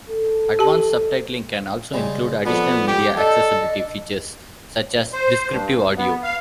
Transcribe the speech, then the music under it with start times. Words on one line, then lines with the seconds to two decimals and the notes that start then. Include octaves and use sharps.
Advanced subtitling can also include additional media accessibility features such as "descriptive audio".
0.10 A4
0.59 G4 A5
1.93 C#3 G3 G#3
2.46 F2 B3 D4
2.88 G4
3.17 D4 A4 D#5
5.13 C5
5.49 G2
5.97 B3
6.23 F5